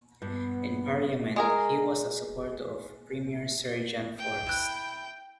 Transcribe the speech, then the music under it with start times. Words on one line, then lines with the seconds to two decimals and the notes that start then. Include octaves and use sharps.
In parliament, he was a supporter of Premier Sir John Forrest.
0.22 G2 B3
1.36 G#3 G#4 A#4
4.18 G5
4.47 E4 F#6